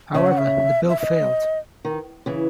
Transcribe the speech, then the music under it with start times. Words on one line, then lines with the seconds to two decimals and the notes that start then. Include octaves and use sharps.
However, the bill failed.
0.14 C#3 E5
0.27 F#5
0.38 E5
0.89 E5
1.00 E5
1.03 D#5
1.85 D#3
2.26 C#3 E3